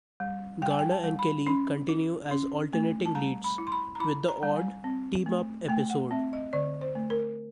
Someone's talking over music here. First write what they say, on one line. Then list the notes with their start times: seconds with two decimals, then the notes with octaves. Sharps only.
Garner and Kelly continue as alternating leads, with the odd 'team-up' episode.
0.20 G3
0.62 G3 G5
0.71 G#5
0.79 G5
0.91 A5
1.04 G3
1.19 B5
1.47 C#4 B5
1.89 E4
2.31 C#4
2.73 A3
3.06 A5
3.15 G3 A#5
3.44 B5
3.58 E4
3.67 C6
3.72 B5
3.95 A#5
4.00 E4 B5
4.28 A#5
4.43 G3
4.56 G#5
4.84 C4
5.26 A3
5.69 A3 G5
5.90 F#5
6.11 C4 E5
6.33 D#5
6.53 D3 D5
6.81 C5
6.95 A3
7.10 A#4